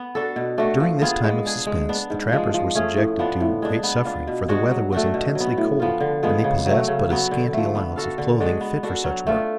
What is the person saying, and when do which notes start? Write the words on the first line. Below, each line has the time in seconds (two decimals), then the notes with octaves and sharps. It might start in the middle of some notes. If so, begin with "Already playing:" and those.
During this time of suspense the trappers were subjected to great suffering for the weather was intensely cold and they possessed but a scanty allowance of clothing fit for such work.
Already playing: B3 B4
0.15 D4 F#4 A4
0.36 B2
0.58 A3 D4 F#4
0.80 F3
1.02 B3 F4 G#4
1.24 G#3
1.45 D4 G#4
1.67 G#3
1.89 B3 D4
2.10 G#2
2.32 F3 G#3 D4
2.54 F3
2.75 A3 C#4 G#4
2.97 A2
3.19 F3 B3 D4
3.40 A2
3.62 G#3 D4
3.83 B3
4.05 D4 F4
4.27 B2
4.48 G#3 D4 F#4
4.71 F#3
4.92 A3 D4 F#4
5.14 B2
5.35 F#3 B3
5.58 A2
5.80 F3 B3 F4
6.00 D3
6.23 F3 G#3 B3
6.44 C#3
6.66 F#3 A3
6.88 C#3
7.10 F#3 B3
7.31 D3
7.53 F3 A3
7.75 B3
7.96 F#4 A4 F5
8.18 D3
8.40 G#3 D4 F#4
8.61 B3
8.83 D4 F#4 A4
9.04 F#3
9.27 A3 D4 F4